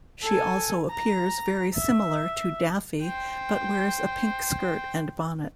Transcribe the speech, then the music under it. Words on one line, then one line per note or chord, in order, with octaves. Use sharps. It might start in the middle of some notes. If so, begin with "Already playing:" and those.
She also appears very similar to Daffy, but wears a pink skirt and bonnet.
A4 G#5
A#5
E5
C5 G5